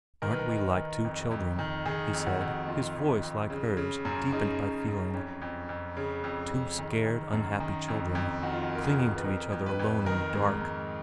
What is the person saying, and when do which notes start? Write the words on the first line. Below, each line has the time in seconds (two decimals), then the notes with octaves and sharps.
'Aren't we like two children,' he said, his voice, like hers, deepened by feeling, 'two scared, unhappy children, clinging to each other alone in the dark.'
0.22 D#3 A#4
0.31 B4
0.39 A#4
0.50 D#3
0.77 D#3
1.04 F2
1.31 F2
1.59 D#3
1.86 D#3 G#4
2.14 F2
2.26 F#4
2.41 F2
2.67 D#3 F4
2.96 F2
3.23 F2
3.50 C#3
3.77 C#3
4.05 F#2
4.32 C#3 D#4
4.60 F#2
4.87 F#2
5.14 F2 C#4
5.42 F2
5.69 F2
5.97 C#3
6.24 F2
6.51 C#3
6.78 D#3
7.06 D#3
7.33 F#2
7.60 D#3
7.88 F2
8.15 F2
8.43 D#3 F#4
8.53 F4
8.63 F#4
8.70 D#3
8.75 A#4
8.84 G#4
8.98 F2
9.16 B4
9.24 F2 A#4
9.52 F2
9.66 B4
9.79 F2
10.06 D#3 A#4
10.34 G#2
10.62 G#2